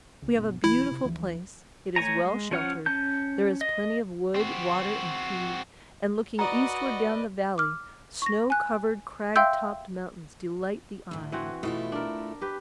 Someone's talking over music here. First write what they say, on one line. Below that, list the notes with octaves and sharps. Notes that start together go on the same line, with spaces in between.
We have a beautiful place: it is well sheltered; there is plenty of wood, water, and feed; and, looking eastward down the valley, snow-covered, crag-topped mountains delight the eye.
C#2
G1 B2
B1 E3 E4
C3
D2 E3 F3
A3 C#5 G#5 A#5
G#3
F3 C#4 C#5 F#5 F6
C#4 A5 G6
D#5
C4 F#4
F#4 B4 D5 D#5 A#5
D6 F6
C#6 A#6
G#5 F#6
E5 F5 G5 C6 E6 G6
D2 A2
E3 C4 F#4
B2 A3 E4 F4
D4 A#4
G4 B4